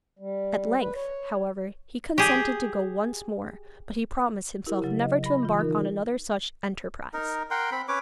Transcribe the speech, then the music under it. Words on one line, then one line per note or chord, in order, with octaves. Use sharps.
At length, however he consented to go once more, but he promised himself never to embark on another such enterprise.
G3
B4
C#5
G4 G#4
E4 G4 A#4
C#3 F#3
D#5
B5 A#6
E3 F4
D#3 D#4 A#4
D#4 A#4
A#4 F#5 G5 C6
C4 B5
C#4 B4 C#5 D6